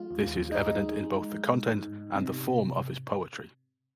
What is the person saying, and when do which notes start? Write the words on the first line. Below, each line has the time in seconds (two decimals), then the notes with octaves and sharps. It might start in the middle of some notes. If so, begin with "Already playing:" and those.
This is evident in both the content and the form of his poetry.
Already playing: G#3 F4
0.11 D#2
0.51 G#3 D#4
0.92 G#3
1.34 G#2
1.74 G#2
2.15 C3